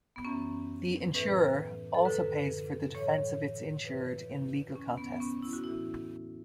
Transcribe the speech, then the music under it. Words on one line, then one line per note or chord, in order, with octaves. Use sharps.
The insurer also pays for the defense of its insured in legal contests.
B3
F#2 E3 C#4
A2 E3 B4
A4
F#2 D3 B4
A2 E3 C#5
F#2 C#3 E3 B4
E2 D3 C#4
B3
B3
C#4
E4
F#4
A2 E3 E4